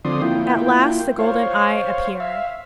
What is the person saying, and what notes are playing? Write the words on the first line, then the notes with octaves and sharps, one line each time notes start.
At last the golden Eye appeared.
D3 F3 C4 D5 C6 D#6
A#3 E4 F4 G5
C5 C#5 F5
E5 F5